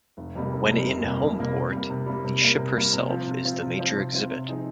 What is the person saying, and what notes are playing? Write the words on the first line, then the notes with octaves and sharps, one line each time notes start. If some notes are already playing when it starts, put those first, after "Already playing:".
When in homeport, the ship herself is the major "exhibit".
F1
F2 C3 G3 A#3
F1
F2 C3 G3 A#3
F1
F2 C3 G3 A#3
F1
F2 C3 G3 A#3
C3
G3 A#3
C3
G3 A#3
C3
G3 A#3
C3
G3 A#3
C3
F3 C4 F4
C3
F3 C4 F4
C3
F3 C4 F4
C3
F3 C4 F4
C3
F3 C4 D#4 G#4